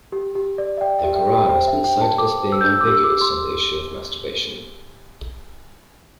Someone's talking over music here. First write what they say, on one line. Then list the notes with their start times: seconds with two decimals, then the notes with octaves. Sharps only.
The Qur'an has been cited as being ambiguous on the issue of masturbation.
0.12 G4
0.35 G4
0.58 D5
0.77 E5
0.81 D5 G5
0.98 E5
1.04 G4
1.09 E5
1.16 G5
1.27 G4
1.33 G5
1.49 C5 G5
1.68 E5
1.73 D4
1.84 G5
1.96 D4
2.01 A5
2.18 A4 D6
2.42 C5
2.52 E6
2.61 D4 G6
2.70 E6
2.81 D6
2.87 G4 E6
3.04 D6
3.10 G4
3.21 C6